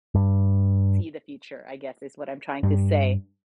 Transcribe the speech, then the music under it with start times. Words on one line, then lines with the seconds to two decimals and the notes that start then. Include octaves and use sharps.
see the future, I guess is what I'm trying to say.
0.15 G2
2.63 G2